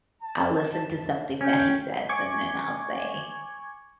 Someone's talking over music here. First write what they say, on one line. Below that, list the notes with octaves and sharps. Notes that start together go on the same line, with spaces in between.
I'll listen to something that he says, and then I'll say,
A5
C#4 G5
G#5 C#6 D6 G#6